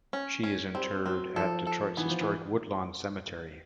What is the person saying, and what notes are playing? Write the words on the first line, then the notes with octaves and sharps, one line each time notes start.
She is interred at Detroit's historic Woodlawn Cemetery.
C#4
C#4
G3 C4
F#3 C4
F3 A4
A4
E3 B3
F3
E3